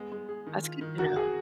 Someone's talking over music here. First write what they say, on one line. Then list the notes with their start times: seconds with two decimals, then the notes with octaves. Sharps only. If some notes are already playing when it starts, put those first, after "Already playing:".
that's good to know.
Already playing: G#3 B3
0.12 G#3
0.29 G#4
0.47 D#3
0.63 F4
0.81 D#3
0.98 F#4 A#4
1.16 F#4 G#4